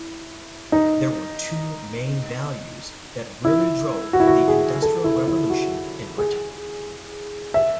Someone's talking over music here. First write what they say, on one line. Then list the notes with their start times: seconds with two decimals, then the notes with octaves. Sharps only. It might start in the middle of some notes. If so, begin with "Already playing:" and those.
There were two main values that really drove the Industrial Revolution in Britain.
Already playing: E4
0.72 D#4
3.45 E4
4.13 F#4
4.20 E4
4.27 F#4
4.48 G#4
4.82 A4
5.04 E4
5.28 E4
5.50 F#4
6.18 G#4
7.54 E5